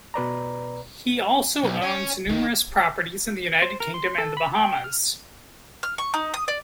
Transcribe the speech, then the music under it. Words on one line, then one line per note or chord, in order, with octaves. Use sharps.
He also owns numerous properties in the United Kingdom and the Bahamas.
B2 B4 D5 A#5
B1
C#5 G#5
D#3
C5
A#4
C6
A4
B5
G5
F6
F6
C#6
D#4
D#6
D5